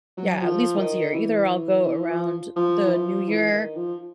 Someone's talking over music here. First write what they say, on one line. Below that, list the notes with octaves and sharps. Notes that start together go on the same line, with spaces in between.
yeah, at least once a year. Either I'll go around the new year
F#3
F3
D#3
E3
E3
F3
F3
E3
F3
E3
D#3
F3